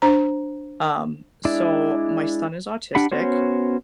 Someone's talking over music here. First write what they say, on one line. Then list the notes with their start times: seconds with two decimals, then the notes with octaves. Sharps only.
Um, so my son is autistic,
0.02 D4 C5 A#5
1.45 G#3 D4 E4 D5
2.95 D4 G4 F#5 B5
3.12 B3 C#4 F#4 C5 C#5